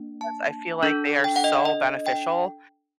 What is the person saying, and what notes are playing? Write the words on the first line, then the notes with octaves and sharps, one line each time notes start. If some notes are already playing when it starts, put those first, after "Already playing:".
'cause I feel like they are so beneficial,
Already playing: A#3 D4
A5
D4 A4
G5
F#5
D#5
D#5
G5